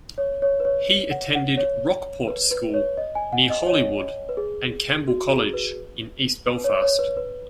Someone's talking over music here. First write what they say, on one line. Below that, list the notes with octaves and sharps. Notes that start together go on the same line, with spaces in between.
He attended Rockport School near Holywood and Campbell College in east Belfast.
C#5
C#5
B4
C#5
F#5
F#5
C#5
B4
B4
C#5
D#5
G#5
F#5
D#5
C#5
B4
G#4
F#4
G#4
B4
B4
C#5
C#5
B4
B4